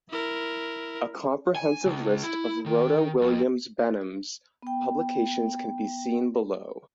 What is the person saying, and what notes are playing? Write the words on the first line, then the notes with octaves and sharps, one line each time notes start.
A comprehensive list of Rhoda Williams Benham’s publications can be seen below.
E4 A#4
G#5
C#2
E4
D#3
F2
B3 G5